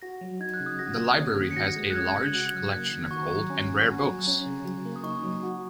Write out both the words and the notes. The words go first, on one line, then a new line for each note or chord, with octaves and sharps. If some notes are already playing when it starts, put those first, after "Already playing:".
The library has a large collection of old and rare books.
F#4 A#6
F#3
D#4 G#6
F#6
C#3
D#6
F#4 A#6
A#3
C#4
D#3
C#7
F#4 A#6
G#3
F#6
C#4 G#6
C#3
F#4 F#6
F#3
A#3
D#3
F#4 C#6
A#5
F#3 C#6
C#4 G#5
A#2
F#4
F#3
C#4 A#5
C#3
F#3
A#3
D#6
D#4 C#6
F#3
F#4